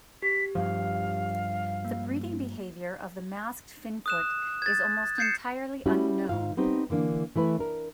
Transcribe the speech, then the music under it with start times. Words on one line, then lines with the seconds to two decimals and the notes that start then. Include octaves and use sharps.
The breeding behaviour of the masked finfoot is almost entirely unknown.
0.22 G4 B6
0.55 G2 F3 F5
1.85 A#3
4.06 D#6 F#6 E7
4.62 G#6 A6
5.18 G6 G#6 C7 C#7 E7
5.86 G3 C#4 E4 F#4
6.29 G#2 F4 F5
6.57 G3 B3 C4 D#4 G4
6.90 D3 E3 A#3 D4
7.36 E3 A3 E4 B4
7.59 D4 A#4